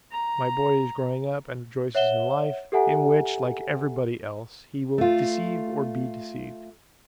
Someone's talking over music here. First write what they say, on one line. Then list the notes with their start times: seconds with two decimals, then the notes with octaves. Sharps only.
My boy is growing up and rejoices in life, in which like everybody else he will deceive or be deceived.
0.12 A#5
1.95 C#5 E5 F#5 E7 G7
2.72 G4 A4 E5 F#5 G#5 A#5
4.98 A3 F4